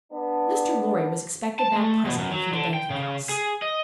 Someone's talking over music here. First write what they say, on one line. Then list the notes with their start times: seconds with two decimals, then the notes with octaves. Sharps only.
Mr. Lorry was expected back presently from the Banking House.
0.12 B3 D4
1.59 A5
1.76 A3
2.05 B2
2.18 F#2
2.32 F#3
2.53 D3
2.74 G5
2.90 C#3
3.29 G#4
3.62 D#5